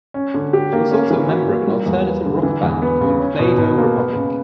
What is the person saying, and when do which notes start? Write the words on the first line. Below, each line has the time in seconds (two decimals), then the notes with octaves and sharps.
She was also a member of an alternative rock band called Playdoh Republic.
0.14 C#4
0.34 D3
0.53 G4
0.73 A#3
0.91 C#4
1.11 E3
1.29 F#4
1.48 A#3
1.67 G3
1.86 E2
2.06 B3
2.25 D3
2.43 E3
2.63 E2
2.82 B3
3.01 C#3
3.20 C#4
3.39 B2
3.58 B2
3.77 A#3
3.96 B3
4.15 C#3